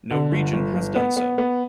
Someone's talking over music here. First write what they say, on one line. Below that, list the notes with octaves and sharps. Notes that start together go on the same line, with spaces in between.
No region has done so.
D3
G1
G1
G1
B3
B3
B3